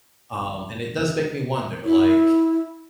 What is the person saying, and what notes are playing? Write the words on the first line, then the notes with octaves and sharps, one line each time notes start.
Um, and it does make me wonder, like,
E4